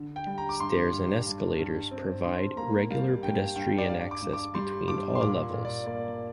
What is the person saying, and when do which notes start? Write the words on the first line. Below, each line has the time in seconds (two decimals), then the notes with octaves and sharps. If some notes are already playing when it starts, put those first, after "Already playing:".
Stairs and escalators provide regular pedestrian access between all levels.
Already playing: D3
0.16 G5
0.27 G3
0.38 A#5
0.49 D6
0.60 G2 C6
0.93 G2
1.26 G2
1.58 G2
1.91 C4
2.24 G2 C6
2.57 A#3 A#5
2.91 G3 F5
3.22 G2 G5
3.55 G2 G5
3.78 D5
3.89 G2 F5
4.11 D6
4.22 G2
4.33 D6
4.55 G3 C6
4.88 G2 D6
5.15 C6
5.21 A#2 D6
5.53 A#2
5.65 D5
5.86 A#3 D5